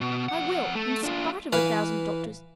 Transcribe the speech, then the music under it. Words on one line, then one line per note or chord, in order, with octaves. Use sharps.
I will, in spite of a thousand doctors.
B2
F2 F#5
A3
D4 F4
E3 B4 F5